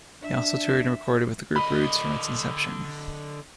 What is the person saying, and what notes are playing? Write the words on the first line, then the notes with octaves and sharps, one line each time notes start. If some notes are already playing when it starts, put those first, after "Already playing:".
He also toured and recorded with the group Roots from its inception.
D4 E5
D3 D#5 B5